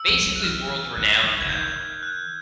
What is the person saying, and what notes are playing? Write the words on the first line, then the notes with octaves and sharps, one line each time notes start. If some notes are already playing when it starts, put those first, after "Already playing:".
basically world-renowned now
Already playing: E6
F3
G3
F#3
F#6
E3 F6
D#3 F#6
D#3
D3 G#6
D#3 G6
F#6